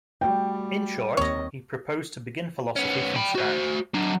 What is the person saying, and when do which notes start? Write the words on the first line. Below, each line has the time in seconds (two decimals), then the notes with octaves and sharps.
In short, he proposed to begin philosophy from scratch.
0.21 G3 A3 F#4 G5
1.17 D#2 C4 C#5 D#5
2.76 B3 C#4
3.16 G5 B5
3.35 F#4 C5
3.94 F#3 D4